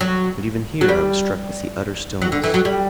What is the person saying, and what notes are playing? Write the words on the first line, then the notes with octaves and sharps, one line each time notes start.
But even here I was struck with the utter stillness.
F#3
F#3
G3
F#3
D3
E3
F#3
G3